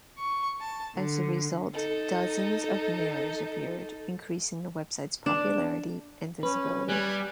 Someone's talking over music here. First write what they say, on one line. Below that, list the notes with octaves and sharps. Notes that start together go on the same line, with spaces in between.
As a result dozens of mirrors appeared, increasing the website's popularity and visibility.
C#6
A5
D3
D#4 A4
D4
C#4 B4
G3 G#5 F#6